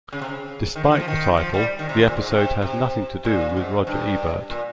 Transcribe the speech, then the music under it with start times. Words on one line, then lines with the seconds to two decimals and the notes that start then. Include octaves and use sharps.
Despite the title, the episode has nothing to do with Roger Ebert.
0.13 C#3
0.22 C3
0.29 C#3
0.76 D#3
0.84 F3
0.91 D#3
1.00 F3
1.08 D#3
1.37 F3
1.54 G3
1.79 D#3
1.89 C3
1.99 G#2
2.07 A#2
2.17 G#2
2.31 C3
2.62 C3
3.25 A#2
3.49 G2
3.57 G#2
3.87 G2
4.50 A#2